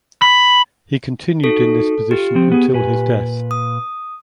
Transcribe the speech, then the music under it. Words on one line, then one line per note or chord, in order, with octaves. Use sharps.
He continued in this position until his death.
B5
D#4 F#4 A4
F4 G4
F3 C4
B3 G#4
A#2 B4 G#5
D#6